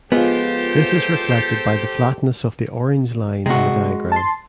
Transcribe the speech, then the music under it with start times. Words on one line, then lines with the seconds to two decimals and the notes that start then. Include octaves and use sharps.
This is reflected by the flatness of the orange line in the diagram.
0.12 F3 G#3 B3 F4 G4 A4 C5
3.46 C3 G#3 F#4
4.12 A5 C6